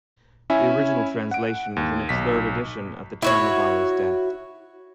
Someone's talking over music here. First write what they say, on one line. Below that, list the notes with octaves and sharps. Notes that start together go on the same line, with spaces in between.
The original translation was in its third edition at the time of Ali's death.
C#4 E4 E5 G#5
F#5 D7
D#2
B1 B6
E4 F#4 C#5